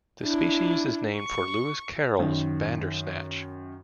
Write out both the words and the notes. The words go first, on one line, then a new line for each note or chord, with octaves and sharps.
The species is named for Lewis Carroll's Bandersnatch.
D4 E4
C#6
F#2 D#3